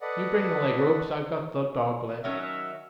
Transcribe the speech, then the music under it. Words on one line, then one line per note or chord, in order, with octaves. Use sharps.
You bring the leg-ropes--I've got the dog-leg.
A4 B4 D5 D#5 F#5
D#3 F#3 C#4 E5